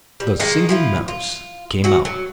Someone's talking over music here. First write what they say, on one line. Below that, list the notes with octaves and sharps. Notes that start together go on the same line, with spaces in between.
The Singing Mouse came out.
G3
D#3 G#3 A#3
F3 E4 F4
F4
F#3 F#4
F#3